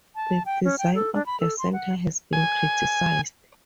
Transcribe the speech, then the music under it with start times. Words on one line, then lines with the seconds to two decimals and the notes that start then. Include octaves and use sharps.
The design of the center has been criticized.
0.16 A5
0.46 G5
0.65 C#4
0.79 G5
0.95 A4
1.14 D4
1.26 B5
1.40 A4
1.58 C6
1.73 F#5
2.33 G#5